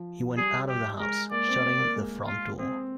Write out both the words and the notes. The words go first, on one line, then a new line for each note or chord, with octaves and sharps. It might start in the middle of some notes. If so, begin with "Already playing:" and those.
He went out of the house, shutting the front door.
Already playing: F3
G3 G#4
G4
G#3 A#4
A#3 D5
C4
A#3
A#3
G#3
F4
C4 G#4